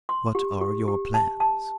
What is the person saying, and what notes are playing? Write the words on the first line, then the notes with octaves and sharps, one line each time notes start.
What are your plans?
C6
G4
G4
G4
A5
A5